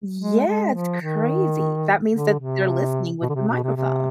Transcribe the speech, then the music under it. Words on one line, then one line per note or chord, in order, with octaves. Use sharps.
Yeah, it's crazy, that means that they're listening with the microphone.
G#3
G#3
F3
D#3
D3
C3
B2
D3
C3
B2
C3
C3